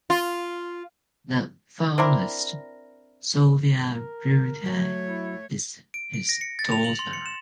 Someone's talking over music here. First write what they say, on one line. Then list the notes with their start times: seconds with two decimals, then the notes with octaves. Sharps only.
The violist Sophia Reuter is his daughter.
0.10 F4
1.98 C4 D4 E4 A#4
3.93 A#4
4.66 F#3 A3 C#5
5.07 E4
5.94 D7
6.14 D7
6.29 A#6
6.41 C#7
6.59 A6
6.72 F7
6.84 F#7
6.99 C6
7.13 C#7
7.26 E7